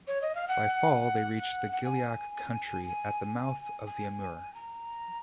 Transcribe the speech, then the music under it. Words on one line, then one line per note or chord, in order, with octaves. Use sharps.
By fall they reached the Gilyak country at the mouth of the Amur.
C#5
D#5
F5
F#5
F#5
G#5
G#5
A#5